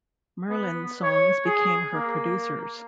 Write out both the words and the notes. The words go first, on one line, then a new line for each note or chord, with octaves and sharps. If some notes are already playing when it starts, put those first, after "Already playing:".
Murlyn Songs became her producers.
B3
C#5
G#4
A#3